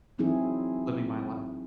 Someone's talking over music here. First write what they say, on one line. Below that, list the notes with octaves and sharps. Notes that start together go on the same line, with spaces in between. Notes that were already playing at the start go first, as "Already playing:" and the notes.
living my li"
E3 F#3 C4 D#4 E4 G#4